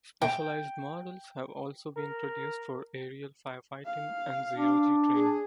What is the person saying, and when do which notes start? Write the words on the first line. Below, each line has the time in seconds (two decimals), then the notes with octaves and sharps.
Specialized models have also been produced for aerial firefighting and zero-G training.
0.22 G5
1.97 A#4
3.86 F5
4.54 D4
5.14 G#4